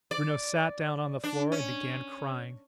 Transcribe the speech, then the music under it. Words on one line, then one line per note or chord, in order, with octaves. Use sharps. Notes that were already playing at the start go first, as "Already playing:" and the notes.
Bruno sat down on the floor and began crying.
D5
D4
C#4